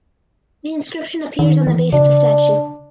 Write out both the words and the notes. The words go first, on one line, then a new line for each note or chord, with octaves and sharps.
The inscription appears on the base of the statue.
D#3
E3
C#3 D4